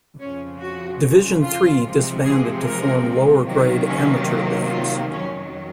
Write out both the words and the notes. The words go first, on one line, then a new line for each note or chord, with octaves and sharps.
Division Three disbanded to form lower grade Amateur Leagues.
F2 C#3 F3 C#4
F#4
F4
C3 F3 G#3 C4
G#4
A#4
C3 D#3 F#3 A#3
C#4
F4
F2 D#3 F#3 C#4